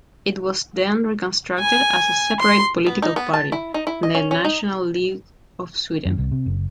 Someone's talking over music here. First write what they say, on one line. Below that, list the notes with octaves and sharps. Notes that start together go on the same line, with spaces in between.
It was then reconstructed as a separate political party, the National League of Sweden.
G#5
C6
B3
D#4
B3
A5
E4
D#4
E4
D#5
C#4
C#4
D#4
F#2
C2
C3
F#1